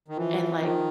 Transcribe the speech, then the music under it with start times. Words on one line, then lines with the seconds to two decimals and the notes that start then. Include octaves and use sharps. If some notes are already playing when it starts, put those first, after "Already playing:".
and, like,
0.08 D#3
0.17 E3 F3
0.61 D#3 F3